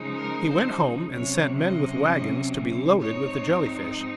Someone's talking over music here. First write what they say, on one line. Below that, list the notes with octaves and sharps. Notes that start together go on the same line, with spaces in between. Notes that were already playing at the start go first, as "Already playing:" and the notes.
He went home, and sent men with wagons to be loaded with the Jelly-fish.
Already playing: C#3 F3 G#3 D#4
A#4
C5
C3 F#3 C#4 C#5
D#5
G#2 F3 C4 D#4 C#5